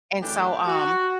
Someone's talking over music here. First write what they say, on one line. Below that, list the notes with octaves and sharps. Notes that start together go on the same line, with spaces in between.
and so, um
F#2 E3 A3 D4 G4
F#4